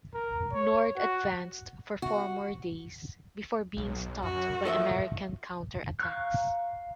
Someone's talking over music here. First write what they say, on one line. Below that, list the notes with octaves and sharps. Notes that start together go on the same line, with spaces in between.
Nord advanced for four more days before being stopped by American counterattacks.
A#4
C#5
F#4
F#4
B1
F#2 F#4
F3 A4 D#5 E5
F5 A#5 C#6 F6 F#6